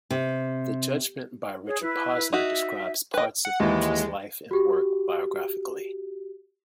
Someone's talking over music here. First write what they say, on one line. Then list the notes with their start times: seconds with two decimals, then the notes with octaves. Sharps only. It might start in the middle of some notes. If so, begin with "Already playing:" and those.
The judgment by Richard Posner describes parts of Mucha's life and work biographically.
0.10 C3
1.66 G#4 C#5
1.82 E4 B4
2.33 D#4 F#4 E5
3.14 B4 D#5 G5
3.45 F#5
3.60 D#2 E3 G#3
4.51 F#4 G4